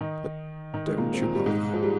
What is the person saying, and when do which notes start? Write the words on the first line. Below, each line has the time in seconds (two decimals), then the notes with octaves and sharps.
But don't you bother.
0.01 D#3 D#4
0.73 D#3 D#4
0.86 G#3
0.98 A#2 A#3
1.14 C4
1.22 A#2 A#3
1.35 G3
1.46 G#2 G#3
1.73 F3
1.83 G3